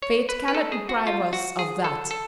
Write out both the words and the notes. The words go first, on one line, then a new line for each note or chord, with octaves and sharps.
Fate cannot deprive us of THAT.
C#5
B4
B4
A4
G#4
F#4
F4
F#4
G#4
A4
A4